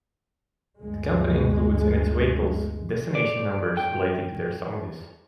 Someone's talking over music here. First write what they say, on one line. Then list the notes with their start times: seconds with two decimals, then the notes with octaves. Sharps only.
The company includes in its vehicles' designations numbers related to their sizes.
0.80 G1 D2 G#3
3.15 D5
3.77 G5